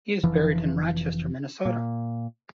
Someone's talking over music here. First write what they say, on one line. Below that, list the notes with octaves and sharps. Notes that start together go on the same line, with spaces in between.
He is buried in Rochester, Minnesota.
F1 E3 F3
A#2